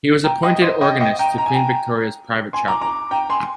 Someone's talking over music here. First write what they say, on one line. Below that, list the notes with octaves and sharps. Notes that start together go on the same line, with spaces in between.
He was appointed organist to Queen Victoria's private chapel.
G5 A#5
D#5 G5
C5 D#5
D#5 G5
D#5 G5
G5 A#5
A#5
G#5
G5 A#5
G#5 C6
A#5 D6
A#5 D6
G5 A#5
G#5 C6